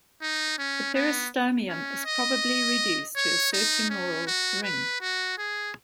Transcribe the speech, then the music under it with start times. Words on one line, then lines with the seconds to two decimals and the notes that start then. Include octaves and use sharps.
The peristomium is probably reduced to a circumoral ring.
0.22 D#4
0.59 C#4
0.95 B3
1.69 C#4
2.06 D#5
3.16 C#5
3.53 D#4
3.90 C#4
4.27 F#4
4.63 B4
5.01 F#4
5.38 G#4